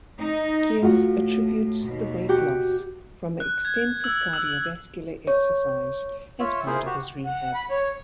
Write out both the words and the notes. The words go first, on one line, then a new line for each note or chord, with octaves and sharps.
Kearse attributes the weight loss from extensive cardio-vascular exercise as part of his rehab.
D#4
A2 F4 F#4
D#2 B2
F#4 G4
F#6
G#6
E6
E6
C#5
F4 C#5 E5
A#3 E4 F4 G#4 C5
F#4 G4
F#5
B5
C#5